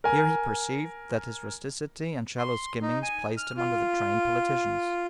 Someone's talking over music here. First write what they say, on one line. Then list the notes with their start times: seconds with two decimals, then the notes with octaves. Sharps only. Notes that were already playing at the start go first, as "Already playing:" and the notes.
Here he perceived that his rusticity and shallow skimmings placed him under the trained politicians.
0.04 A#4 G#5
2.38 C6
2.82 D#4
3.03 G#5
3.37 F6
3.57 F4